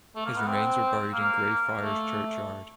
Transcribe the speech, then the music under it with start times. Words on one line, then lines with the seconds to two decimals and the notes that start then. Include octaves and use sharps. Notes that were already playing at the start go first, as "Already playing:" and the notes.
His remains were buried in Greyfriars Churchyard.
0.15 A3
0.26 A#3
0.37 B3
0.47 C4
1.13 A#3
1.80 A3